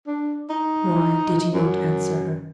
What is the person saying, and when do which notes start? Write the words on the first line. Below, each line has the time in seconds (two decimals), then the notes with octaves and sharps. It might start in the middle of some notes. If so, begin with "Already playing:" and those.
Why did he not answer her?
0.07 D4
0.50 D#4
1.53 F#2